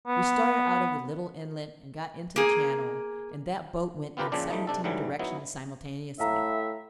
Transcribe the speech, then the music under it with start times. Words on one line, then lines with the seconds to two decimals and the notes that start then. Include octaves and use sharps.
We started out of the little inlet and got into the Channel, and that boat went in seventeen directions simultaneously.
0.07 B3
2.36 A#3 G#4
4.17 B3 C4 F4 G4 A#4 B4
4.32 A#2 C#3 F3 C4 D4 D5
4.50 F3 G3 A3 D#4
4.67 C3 D4 A4
4.84 A1 G#2 D3 E3 F#3 G3
5.19 F#3 B3 D#4 E4
6.20 A2 E5 F5 A#5